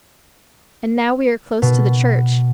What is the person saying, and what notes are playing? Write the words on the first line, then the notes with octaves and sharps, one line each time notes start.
And now we are close to the church.
B2